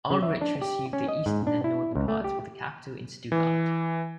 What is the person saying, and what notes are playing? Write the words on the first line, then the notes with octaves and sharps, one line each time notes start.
Ulrich received the eastern and northern parts with the capital in Stuttgart.
C#3
E5
D4
G4
C#4
D#5
G#2
D4
E4
C#2
A3
G4
E3